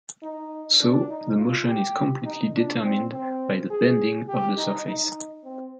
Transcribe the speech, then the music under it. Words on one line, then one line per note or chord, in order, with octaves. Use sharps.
So, the motion is completely determined by the bending of the surface.
D#4
D4
D#4
F4
G4
D#4
D4
C4
C4
G#4
G4
D#4
D#4
C4